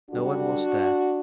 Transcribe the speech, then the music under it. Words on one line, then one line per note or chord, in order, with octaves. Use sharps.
No one was there.
F#2 D3 G3 D4 F#4